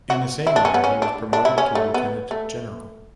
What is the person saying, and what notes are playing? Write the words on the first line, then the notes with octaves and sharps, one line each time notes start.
In the same year he was promoted to lieutenant general.
F#4
E4
D4
C#4
B3
C#4
D4
D4
E4
C#4
A3
B3
A3